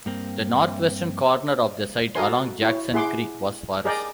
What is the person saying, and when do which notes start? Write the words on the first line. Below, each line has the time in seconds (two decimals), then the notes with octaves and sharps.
The northwestern corner of the site along Jackson Creek was forest.
0.06 G2 A#3 C4
2.15 F#4 A4 A#4 G#5 C6
2.62 E4 C#5
2.93 E4 G#4 F#5 C6 D6
3.85 G#4 A#4 D5 D#5 G5